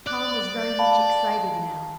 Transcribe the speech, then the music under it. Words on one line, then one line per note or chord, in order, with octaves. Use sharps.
Tom was very much excited now.
D5 F#6
F5 A5 B5